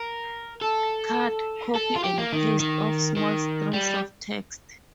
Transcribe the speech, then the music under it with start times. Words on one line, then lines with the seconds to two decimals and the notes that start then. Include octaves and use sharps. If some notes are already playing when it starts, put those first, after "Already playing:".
Cut, Copy and Paste of small strings of text.
Already playing: A#4
0.61 A4
1.75 A4
1.96 F4
2.04 G4
2.18 A#3
2.33 D#3
2.60 D#3
3.17 D#3
3.73 G3